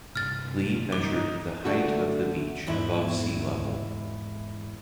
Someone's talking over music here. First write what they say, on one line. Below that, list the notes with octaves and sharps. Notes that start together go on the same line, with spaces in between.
Lee measured the height of the beach above sea level.
C2 G2 F6 A6
D#4 D6
D3 A3 D4 F#4
E2 G#2 E4